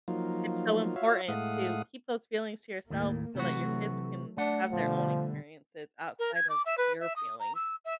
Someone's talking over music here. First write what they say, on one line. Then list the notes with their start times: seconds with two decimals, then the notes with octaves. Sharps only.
It's so important to keep those feelings to yourself so that your kids can have their own experiences outside of your feelings.
0.08 F3 F#3 A#3 D#4 F4
0.96 F4 F#4 C#5 E5 F5
1.28 A2 G#3 A3 F5 F#5 D#6
2.90 D#2 A2 A#3
3.35 C3 E3 F#3 A3 F#4
4.37 A3 D4 F#5
4.72 B2 D3 F3 G3
6.19 A#4
6.35 G#6
6.49 D6
6.66 E5
6.78 B4
7.00 E5
7.16 D#6
7.39 A#5
7.55 E6
7.85 E5